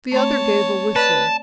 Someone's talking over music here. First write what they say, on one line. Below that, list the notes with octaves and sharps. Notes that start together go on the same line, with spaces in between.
The other gave a whistle.
A3 C4 C#5 A5
B4 D5 A5